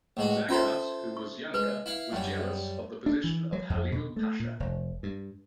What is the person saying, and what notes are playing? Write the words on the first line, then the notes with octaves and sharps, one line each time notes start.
Zaganos, who was younger, was jealous of the position of Halil Pasha.
A1 G#3 F#4
C#4 F4 A4 C5 E5 C6
C#6
G#3 B4
E4 F5
F#2 G3
D4
E3
F#3
F2
B2
A3
A#2
F1
G2